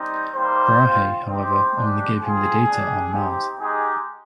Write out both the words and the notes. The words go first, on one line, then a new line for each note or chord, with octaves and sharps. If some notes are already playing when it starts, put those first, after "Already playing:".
Brahe, however, only gave him the data on Mars.
Already playing: G3 C4 D#4
G3 A#3 D#4 C5
C4 F4
C4 D#4 G4 C5
G#3 D4 G4
C4 F4 G#4
G3 D4 G4
C4 D#4 G4
G#3 D#4 G4 G#4